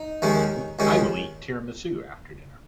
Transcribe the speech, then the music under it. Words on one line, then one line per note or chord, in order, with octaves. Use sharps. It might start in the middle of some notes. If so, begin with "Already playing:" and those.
I will eat tiramisu after dinner.
Already playing: D#4
D#2 D#3 G#3 C#4
D#2 D#3 G#3 C#4